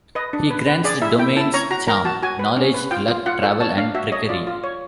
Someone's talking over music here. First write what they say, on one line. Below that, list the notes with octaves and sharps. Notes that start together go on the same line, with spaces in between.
He grants the domains Charm, Knowledge, Luck, Travel and Trickery.
B4 D#5
D4
B4
B4
G#4 D5
E4 E5
E4 G5
E4 A5
C#5 A#5
F#4 A#5
A#4 A#5
F#4 A5
F#4 G#5
B4
C#4
B4
F4 G5
F4
F4 F#5
A4
C#5 A5
D4 F5
F#4 E5
C#5 D#5
F4 D5
F4
C#5